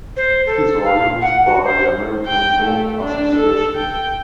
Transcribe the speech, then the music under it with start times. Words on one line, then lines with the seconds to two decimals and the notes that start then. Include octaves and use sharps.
These are used by the American Go Association.
0.16 C5
0.46 A4
0.84 F5
1.21 F#5
1.46 F#4
1.64 C5
2.26 G5
2.62 A3
3.04 D4
3.36 A4
3.76 G5